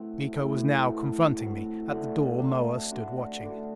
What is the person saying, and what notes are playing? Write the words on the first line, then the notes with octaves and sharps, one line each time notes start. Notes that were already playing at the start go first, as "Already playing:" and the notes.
Miko was now confronting me: at the door Moa stood watching.
Already playing: A2 A3 C4 F#4
A2 A3 C4 F#4
A2 A3 C4 F#4
A2 A3 C4 F#4
D3 A3 D4 F#4
D3 A3 D4 F#4
D3 A3 D4 F#4
D3 A3 D4 F#4